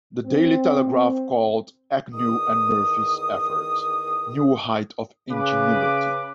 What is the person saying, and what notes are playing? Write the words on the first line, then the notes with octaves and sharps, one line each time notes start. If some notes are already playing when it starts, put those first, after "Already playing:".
"The Daily Telegraph" called Agnew and Murphy's effort, "new heights of ingenuity".
C4
E2 D#3 D#6
C#3 B4 D6